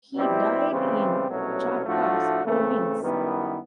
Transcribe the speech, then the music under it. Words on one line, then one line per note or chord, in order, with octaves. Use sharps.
He died in Charcas Province.
B2 G3 C4 E4 G4
C#3 E3 G3 C4
C2 B2 F#3 A3 C#4
A2 F3 A3 D4 F#4
C#3 E3 A3 C4
F#2 D#3 G3 B3 E4